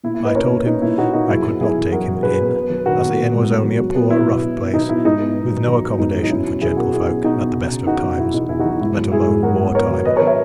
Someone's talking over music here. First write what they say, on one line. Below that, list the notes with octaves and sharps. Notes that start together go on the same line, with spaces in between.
I told him I could not take him in, as the inn was only a poor rough place, with no accommodation for gentlefolk at the best of times, let alone war-time.
A#2 E4
E4
A#2
B4 D#5
C#4 A#4 C#5
A#2
A#2 D#4
A#2 E4
A#2 D#4 F#4
A#3 D#4 F#4
F#2 E4 G#4
B3
F#2 E4 G#4
E3
F#2 F#4 A#4
F#2
F#2 G#4 B4
B3
B3
F#3
D#3 F#4 A#4
B3
B3
G#2
G#2
F#3
F#3
B3
B2 E4
B2
B2
B2
F#3 D#4
B2 E4
G#2 D#4
B3
B3
F#3
F#3
B3
G#2 D#4
F#3
D#4
C#4 E4
B2
F#3 E4 G#4
B2 F#4 A#4
B2 E4 G#4
B2
B2 D#4 F#4
B2
C#3
C#3
E2 D#4 F#4
F#3
E2 E4
E2 D#4
E2 E4
D#4 F#4
F#3
E4
G#2 E4
F#3
G#2 E4 G#4
G#2
F#3 F#4 A#4
B3
B3 A#4 C#5
F#3
F#3 B4 D#5
A#4 C#5
F#3
C#5 E5